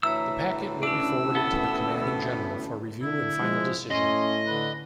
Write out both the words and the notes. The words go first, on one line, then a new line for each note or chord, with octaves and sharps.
The packet will be forwarded to the Commanding General for review and final decision.
D2 A2 E3 C#5 E5 A#5 E6
C#4 D4 A5 E6
B3 A4
D3 E4
F3 G#3
A2 C#4 D#5 C6
D3 B4